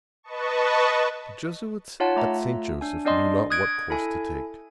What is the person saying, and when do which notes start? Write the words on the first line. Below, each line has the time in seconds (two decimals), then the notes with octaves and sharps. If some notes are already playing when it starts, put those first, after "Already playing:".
The Jesuits at St. Joseph knew not what course to take.
0.23 B4 D#5 A5 C#6
2.00 D#4 F4 C#5 F#5 A5
2.16 A3 F4 E5 A#5
2.81 D4 G#5
3.05 C4 D4 D5 D#5 C6
3.50 D#6 F#6 G#6 A#6 D7
3.90 E4 A4 G#5